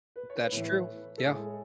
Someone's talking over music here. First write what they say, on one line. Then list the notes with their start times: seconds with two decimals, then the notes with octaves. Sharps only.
That's true, yeah.
0.16 B4
0.30 C#5
0.44 B4
0.52 A2 E3 A3
1.18 A4
1.25 A2 G#3 G#4